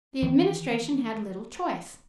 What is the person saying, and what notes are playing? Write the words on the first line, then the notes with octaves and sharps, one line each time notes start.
The Administration had little choice.
D#3 E3